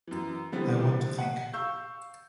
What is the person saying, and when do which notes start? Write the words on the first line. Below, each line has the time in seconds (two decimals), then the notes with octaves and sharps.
I want to think.
0.07 F#2 E3
0.52 D3 E3 G3 B3 C4
1.18 F#5
1.53 F5 C#6 E6 G6